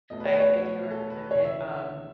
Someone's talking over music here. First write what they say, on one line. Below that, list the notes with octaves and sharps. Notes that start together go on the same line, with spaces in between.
I I do recommend it, um,
B1 B2 A3 D#5
B4
C#5
B4
C#5
F#4
A4
B4
C#2 C#3 E3 C#5
E5